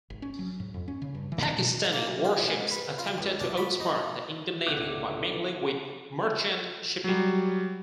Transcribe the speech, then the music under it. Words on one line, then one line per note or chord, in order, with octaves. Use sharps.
Pakistani warships attempted to outsmart the Indian Navy by mingling with merchant shipping.
G#1
C#4
F#3
G#2
F2
C#4
C#3
G2
E3
D#3
B2
A#3
F#2
F4
G#2
B4
F4
C#2
D4
B5
D#4
C#2 D3 B3 E5 F#5 D6 F#6 G6
F#3 G3